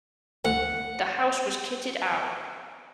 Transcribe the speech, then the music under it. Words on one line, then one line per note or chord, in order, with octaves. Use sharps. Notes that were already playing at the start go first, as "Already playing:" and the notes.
The house was kitted out.
D2 F#5